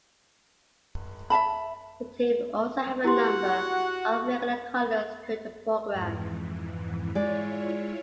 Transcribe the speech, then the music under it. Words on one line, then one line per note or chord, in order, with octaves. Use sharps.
The team also have a number of regular callers to the program.
E5 F5 A5 B5
E4 F#4 G4 F#5 C6
F2 G#2 E3
G#3 E4 F4 C#5 D5